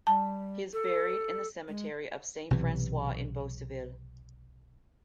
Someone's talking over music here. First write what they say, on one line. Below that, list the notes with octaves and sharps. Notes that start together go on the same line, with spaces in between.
He is buried in the cemetery of Saint-Francois in Beauceville.
G3 A5
A4
G#3
B1 C3 E3